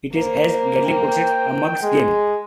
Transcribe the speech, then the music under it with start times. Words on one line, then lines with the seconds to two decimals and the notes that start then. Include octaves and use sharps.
It is, as Gadling puts it, a mug's game.
0.13 A#3 C5
0.86 G5
1.82 G#3